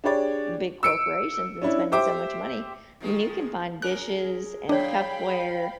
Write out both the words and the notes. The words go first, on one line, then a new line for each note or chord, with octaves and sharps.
big corporations and spending so much money I mean, you can find dishes and cupware
D4 G4 G#4 C#5 D5
E6 C#7 D7
C#4 D4 E4
G4 C5 E5 D6
D#3 F3 G#3
G#3 C#4 A#4 F#6
G#2 F3 D4 C#5 D5 F5 G5 B5